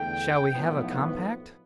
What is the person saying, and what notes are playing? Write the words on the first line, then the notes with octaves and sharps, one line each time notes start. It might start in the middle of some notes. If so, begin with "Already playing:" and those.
Shall we have a compact?
Already playing: E2 D3 A3 G5
B1 A2 F3 B3